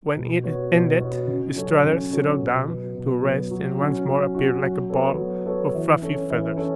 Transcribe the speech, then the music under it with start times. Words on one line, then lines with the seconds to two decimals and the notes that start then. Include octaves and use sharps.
When it ended Strutter settled down to rest and once more appeared like a ball of fluffy feathers.
0.16 B2
0.44 B3 F#4 C#5
0.71 B2
0.99 B3 F#4 C#5
1.27 C#3
1.55 F#3 C#4 A4 C#5
1.83 C#3
2.11 F#3 C#4 A4 C#5
2.39 B2
2.67 F#3 B3
2.95 B2
3.23 F#3 B3
3.51 F#3
3.79 C#4 F#4
4.06 F#3
4.35 C#4 F#4
4.62 F#3
4.90 B3 A4 C#5
5.18 F#3
5.46 B3 A4 C#5
5.74 E3
6.02 C#4 A4 C#5
6.30 E3
6.57 C#4 A4 C#5